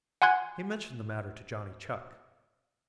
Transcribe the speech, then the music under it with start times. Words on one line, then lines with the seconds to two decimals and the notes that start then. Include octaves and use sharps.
He mentioned the matter to Johnny Chuck.
0.22 F#5 G#5 C6 F#6 G#6